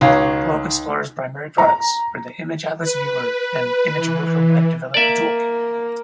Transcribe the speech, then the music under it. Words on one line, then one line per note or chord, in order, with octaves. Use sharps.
GlobeXplorer's primary products were the ImageAtlas viewer and ImageBuilder web developer toolkit.
C#2 D#4 F#4 C#5 F5
A#5
B4
E3
A#3 D5 E5